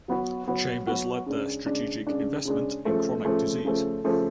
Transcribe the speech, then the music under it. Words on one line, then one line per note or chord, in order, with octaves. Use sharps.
Chambers led their "Strategic Investment in Chronic Disease".
F#3 B3 F#4
F#3 B3 F#4
F#3 B3 F#4
C#3 G#3 D4
C#3 G#3 D4
C#3 G#3 D4
C#3 G#3 D4
C#3 F3 A3
C#3 F3 A3
C#3 F3 A3
C#3 F3 A3